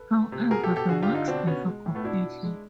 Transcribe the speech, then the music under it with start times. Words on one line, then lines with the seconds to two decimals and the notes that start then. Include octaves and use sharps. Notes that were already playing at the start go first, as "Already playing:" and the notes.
However, the works differ completely.
Already playing: A4 B4
0.13 A3
0.32 C3
0.50 B2 G#4 A#4
0.63 G4 A4
0.70 B2
0.76 G4 A4
0.89 D3 F#4 G#4
1.02 F4 G4
1.09 D3
1.14 D#4 F4
1.28 B2 C4 D4
1.47 B2 B3 C#4
1.67 G#3
1.86 A2
1.95 A3 B3
2.04 B2 D4 E4
2.24 B2
2.44 G#3